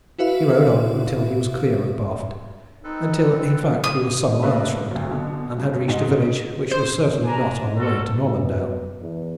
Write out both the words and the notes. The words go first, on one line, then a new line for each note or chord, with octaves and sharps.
He rode on until he was clear of Barford: until, in fact, he was some miles from it, and had reached a village which was certainly not on the way to Normandale.
E4 F#4 B4 E5 F5
C4 D#4 A4 B4
D#6
A3 A#3 D4 B4 E5
D2 F#3
B2 D3
G2
G#2 D#4
D7
C5
D4 G#5 A#5
F4 F#4 A4
B2
E2